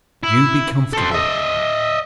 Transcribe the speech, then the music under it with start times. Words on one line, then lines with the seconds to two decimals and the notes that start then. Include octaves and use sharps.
You be comfortable.
0.23 E4
0.93 A4 C5
1.12 D#5 E5